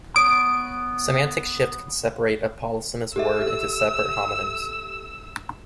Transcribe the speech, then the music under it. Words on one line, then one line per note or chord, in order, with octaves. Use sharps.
Semantic shift can separate a polysemous word into separate homonyms.
B3 C#5 D#6 D7
G4 A4 E5 E6